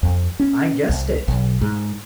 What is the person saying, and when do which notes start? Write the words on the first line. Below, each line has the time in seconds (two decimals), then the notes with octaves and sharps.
"I guessed it."
0.03 F2
0.40 C#4
0.89 C2
1.28 B1
1.61 G#2